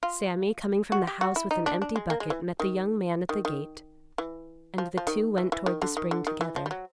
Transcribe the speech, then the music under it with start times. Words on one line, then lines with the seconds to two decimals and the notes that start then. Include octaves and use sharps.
Sammy coming from the house with an empty bucket met the young man at the gate, and the two went toward the spring together.
0.03 F4
0.92 F#4
1.07 G4
1.21 F#4
1.36 E4
1.51 D#4
1.66 D4
1.82 D4
1.96 G#3
2.10 A#3
2.20 G#3
2.30 E3
2.60 D#3
3.29 D#3
3.45 D#3
4.18 E3
4.78 F3
4.98 F3
5.07 D#3
5.38 E3
5.52 E3
5.66 D#3
5.82 D3
5.97 D#3
6.11 D3
6.27 D#3
6.41 E3
6.56 F3
6.66 G3
6.71 F#3